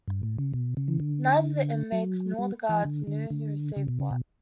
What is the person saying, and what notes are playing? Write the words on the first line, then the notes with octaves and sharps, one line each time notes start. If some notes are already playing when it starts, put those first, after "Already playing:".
Neither the inmates nor the guards knew who received what.
G2
A2
C#3
B2
C#3
E3
D3
F#3
G3
E3
D3
D3
D3
C#3
B2
C#3
B2